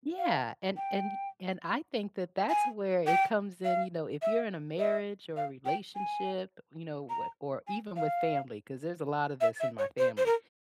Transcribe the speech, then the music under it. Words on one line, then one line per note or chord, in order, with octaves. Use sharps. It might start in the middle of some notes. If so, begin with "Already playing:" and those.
Yeah, and and y and I think that that's where it comes in, you know, if you're in a marriage or a relationship, you know, wh or even with family, 'cause there's a lot of this in my family-
F5
G5
G#5
G5
F5
E5
E5
F5
G5
G#5
A#5
G#5
F5
E5
E5
C#5
C5
C5
A#4